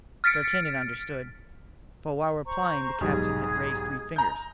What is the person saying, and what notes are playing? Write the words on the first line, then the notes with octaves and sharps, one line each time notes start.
D'Artagnan understood, for while replying the captain had raised three fingers.
F6 A6 B6 C#7 D7
C5 A#5 C#6
B1 G#2 G3 G#4 D#6
A#5 G6